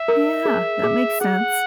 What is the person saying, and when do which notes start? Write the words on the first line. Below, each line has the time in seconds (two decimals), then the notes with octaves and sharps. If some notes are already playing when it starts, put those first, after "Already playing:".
Yeah. That makes sense.
Already playing: E5
0.08 A#4
0.45 G#4
0.83 G#4
1.21 G#4 F#5